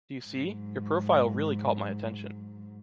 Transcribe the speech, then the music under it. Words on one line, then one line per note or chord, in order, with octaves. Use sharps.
Do you see? Your profile really caught my attention.
G#2 F#3